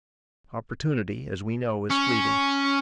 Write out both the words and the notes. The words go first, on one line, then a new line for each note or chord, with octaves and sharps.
Opportunity, as we know, is fleeting.
C#4